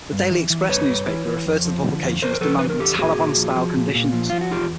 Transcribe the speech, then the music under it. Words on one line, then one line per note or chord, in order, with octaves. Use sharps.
The "Daily Express" newspaper referred to the publication as demanding "Taleban-style" conditions.
G2
E3
E3
G2 B4 C#5
G2
E3
E3
F2
F3
D3
F2
F2 A#4 C5
A#4
F3 A4 B4
D3 B4
A#4
F2 G4 A4
A#2 F#4 G#4
A#2
F3
F3
A#2
A#2
F3
F3 F4
F#4
E2 F4 G4